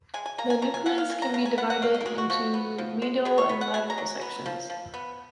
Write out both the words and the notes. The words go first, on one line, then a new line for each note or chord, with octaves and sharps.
The nucleus can be divided into medial and lateral sections.
G#3 G#5
G#5
A#3 A#5
G#5
F3 A#5
G#5
F3 F#5
F5
A#3 G#5
A#5
C#3 A#5
G#5
B3 F#5
F#5
C#3 F5
D#5
A#4
G#3 G#4
F#4
F3 F#4
B3
F3
G#3
B2 G#4
C#5
B3
F#5
B2 G#5
A#5
F#3
B3
F3
F3
B3